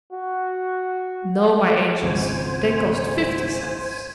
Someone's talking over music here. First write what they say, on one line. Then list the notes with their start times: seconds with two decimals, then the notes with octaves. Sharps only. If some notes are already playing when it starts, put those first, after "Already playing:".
"No, my angels; they cost fifty cents."
0.12 F#4
2.01 G#1 C#2 C5 G#5